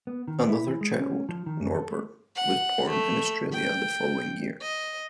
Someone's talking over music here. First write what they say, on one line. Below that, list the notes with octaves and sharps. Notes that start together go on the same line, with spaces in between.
Another child, Norbert, was born in Australia the following year.
B3
D#3
E4
E3
G#3
C#4
F3
D#3
F#2
A4
A3
F#5
A3
G5
D#5